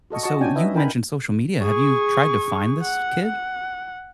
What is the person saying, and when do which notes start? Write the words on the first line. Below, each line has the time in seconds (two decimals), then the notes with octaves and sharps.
So, you've mentioned social media, have you tried to find this kid?
0.10 F#4 A4 D#5 C#6
0.23 F#4 D#5 A5 C#6
0.41 C#4 D4 D5 G5 G#5
0.55 D#4 E4 B4 D#5 E5
0.73 C#4 D4 A#4 G5 G#5 B5
1.62 G#4 C#6
2.83 F#5
3.27 F#5